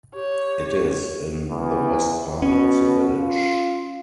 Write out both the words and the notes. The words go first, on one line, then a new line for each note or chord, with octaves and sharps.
It is in the west part of the village.
G4 C#5
E2
B2 C#4
F4